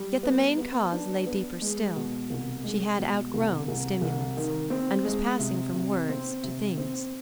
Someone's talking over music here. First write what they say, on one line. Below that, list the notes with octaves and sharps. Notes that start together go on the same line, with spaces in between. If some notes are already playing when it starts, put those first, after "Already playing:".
Yet the main cause lay deeper still; she had outgrown stimulants, and was passing from words to things.
Already playing: G3
B3
B3
D4
B3
G#3
B2
C2
G#3
B2
C2
C2
C2
D#3
C4
G#3
C3
C3
C4
C3
C4